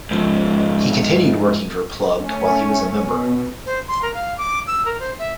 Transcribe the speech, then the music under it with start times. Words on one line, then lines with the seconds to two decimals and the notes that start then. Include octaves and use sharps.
He continued working for "plugged" while he was a member.
0.11 G#2 F3
2.23 A3 C#4
3.03 B2
3.66 C5
3.88 C6
4.02 A#4
4.14 F5
4.38 D6
4.67 E6
4.85 A#4
5.00 C5
5.19 E5